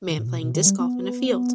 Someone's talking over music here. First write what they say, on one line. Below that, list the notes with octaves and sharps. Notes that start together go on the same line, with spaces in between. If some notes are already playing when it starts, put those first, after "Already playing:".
Man playing disc golf in a field.
D#3
A2
B2
B2
D#3
G3
B3